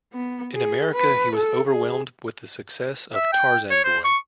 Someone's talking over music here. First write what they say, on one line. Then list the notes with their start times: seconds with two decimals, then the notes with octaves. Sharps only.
In America, he was overwhelmed with the success of "Tarzan Boy".
0.13 B3
0.54 G#4
0.94 B4
1.35 A4
1.67 G#4
3.14 E5
3.33 G5
3.71 C#5
3.84 C5
4.05 C#6